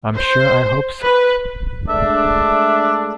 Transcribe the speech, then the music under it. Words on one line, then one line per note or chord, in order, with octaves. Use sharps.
I'm sure I hope so.
C5
B4
G#3 A3 D4 E5